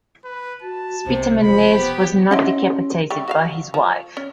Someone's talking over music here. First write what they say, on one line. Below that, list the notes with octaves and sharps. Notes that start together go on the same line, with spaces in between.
Spitamenes was not decapitated by his wife.
B4
F#4 A5
C2 C3 C5
E1 F2 C5 B5
B3 G4
C#4 E4 G4 D#5 F#5 C6
E3 G3 C#6
F#4 E5 F5
F3
C#4